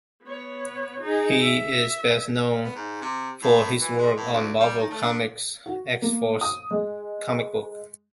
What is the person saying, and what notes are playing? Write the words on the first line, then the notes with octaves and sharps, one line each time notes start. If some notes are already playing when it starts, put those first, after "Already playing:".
He is best known for his work on Marvel Comics' "X-Force" comic book.
B3 C#5
D#4 G#4
E5
B3
G#2
C3
A2
E3
G#3
A2
D2
G3
D#3
A3
D4
F#4
A#3
D#6
G#3